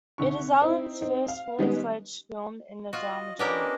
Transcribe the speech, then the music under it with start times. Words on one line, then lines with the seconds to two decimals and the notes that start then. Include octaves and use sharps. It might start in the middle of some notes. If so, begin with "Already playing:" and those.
It is Allen's first fully-fledged film in the drama genre.
0.18 C2 D3 D#3 C#6
0.62 C4 D#4 E4
1.01 C4 D#4
1.28 F5
1.59 D#3 G3 G#3 B3 C#4
2.93 F4 F#4 D#5
3.39 B3 C#4 D4 G4 A#4 D#5